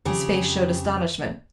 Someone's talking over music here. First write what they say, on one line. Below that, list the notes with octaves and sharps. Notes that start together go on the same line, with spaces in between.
His face showed astonishment.
F2 C#3 G4 G#4